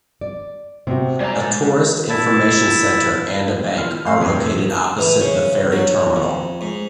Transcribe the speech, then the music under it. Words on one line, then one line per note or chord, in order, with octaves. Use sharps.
A tourist information centre and a bank are located opposite the ferry terminal.
D5
C3 F#4 C5
G#3 D5 A#5
E4 A5
E4 F4 F6
F6
A2 F#4 G#4 F5 C6 E6 G6
F2 D#6 C7
A5
E3
C#3
F#3
F2
G#2